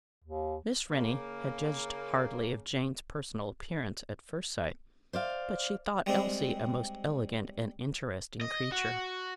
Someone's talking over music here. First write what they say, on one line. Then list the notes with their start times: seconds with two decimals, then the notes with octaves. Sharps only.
Miss Rennie had judged hardly of Jane's personal appearance at first sight, but she thought Elsie a most elegant and interesting creature.
0.24 D#2
0.90 C#3 A#3
5.13 C5 D5 F5
6.06 G3 G#3 C4 D4
8.41 D#5
8.72 F#4